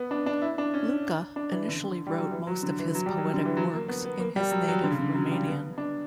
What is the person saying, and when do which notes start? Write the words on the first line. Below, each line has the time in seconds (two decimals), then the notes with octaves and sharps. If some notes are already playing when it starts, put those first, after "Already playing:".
Luca initially wrote most of his poetic works in his native Romanian.
Already playing: B3
0.11 D4
0.26 D4
0.42 E4
0.58 D4
0.74 C#4
1.36 D4
1.52 E3
1.68 D3
1.84 D3
2.07 G3
2.18 F#3
2.31 E3
2.47 F#3
2.63 D3
2.79 E3
2.95 F#3
3.06 G3
3.18 F#3
3.34 D3
3.45 E3
3.57 F#3
3.73 A#3
3.88 B3
4.05 B3
4.20 A#3
4.36 G3
4.51 F#3
4.68 F#3
4.83 D3
4.91 C#3
4.98 D3
5.15 F#3
5.31 G3
5.47 B3
5.78 D4